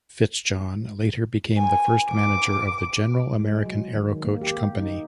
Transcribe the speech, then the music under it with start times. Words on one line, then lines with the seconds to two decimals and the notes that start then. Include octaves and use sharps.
FitzJohn later became the first manager of the General American Aerocoach Company.
1.58 G#5
2.11 D6
3.39 G#3
3.65 F#3
3.95 D#3
4.25 A#3
4.41 G4
4.79 D#4